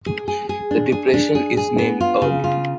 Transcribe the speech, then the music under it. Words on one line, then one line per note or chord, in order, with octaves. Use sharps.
The depression is named Earl.
G#4
G#4
G#4
D4
G#4
D4
G#4
G#4
B3
F4
C#3
F4